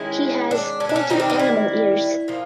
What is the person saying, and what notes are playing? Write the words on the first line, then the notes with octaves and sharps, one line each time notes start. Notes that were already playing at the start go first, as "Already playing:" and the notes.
He has "pointed animal ears".
Already playing: D#3 G#3 C#4 E4
D4
C#4
D4
C#4
D#3 G3 C4 D#4
D4
D#4
E4
A#2 F3